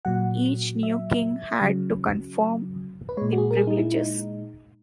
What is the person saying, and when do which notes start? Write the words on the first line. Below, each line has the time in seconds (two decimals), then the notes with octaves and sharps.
Each new king had to confirm the privileges.
0.05 A#2 F#3 F#5
0.83 E5
1.61 C#3 F#3
3.09 B4
3.17 A#2 G#3 C#5
3.33 F#4
3.38 G#4
3.51 A#4
3.57 G#4
3.67 D#4
3.77 E4
3.92 E4
3.95 D#4